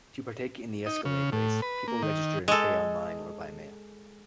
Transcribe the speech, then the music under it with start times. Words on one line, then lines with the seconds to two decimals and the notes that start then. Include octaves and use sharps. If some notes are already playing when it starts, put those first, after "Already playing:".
To partake in the Escalade race, people register and pay online or by mail.
0.86 D#4
1.05 C#3
1.32 A2
1.62 B4
1.88 A#3
2.02 D#3
2.48 G#3 A4